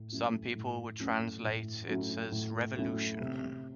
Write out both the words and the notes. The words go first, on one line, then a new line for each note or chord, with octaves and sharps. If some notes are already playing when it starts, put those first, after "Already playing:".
Some people would translate it as "revolution".
Already playing: A2
F#3 A3 C#4 E4
A2
F#3 A3 C#4 E4
A2
F#3 A3 C#4 E4
A2
F#3 A3 C#4 E4
C3